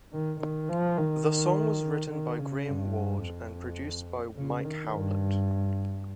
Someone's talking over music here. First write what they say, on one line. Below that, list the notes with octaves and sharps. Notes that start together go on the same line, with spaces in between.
The song was written by Graham Ward and produced by Mike Howlett.
D#3
D#3
F3
D#3
D#3
C#3
G2
F2
C#3
D#3
G2